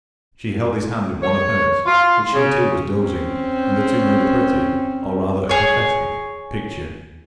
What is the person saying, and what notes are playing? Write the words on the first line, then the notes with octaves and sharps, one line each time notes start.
She held his hand in one of hers, but she too was dozing, and the two made a pretty, or rather a pathetic, picture.
C#5
F4
C#3
C4 C#4
G#4 C#5